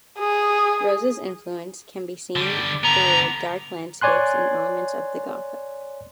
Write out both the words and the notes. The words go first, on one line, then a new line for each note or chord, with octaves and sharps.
Rosa's influence can be seen through dark landscapes and elements of the Gothic.
G#4
D3 G3
D3 B3 A#5
C#5 D5 G#5 C6 F#6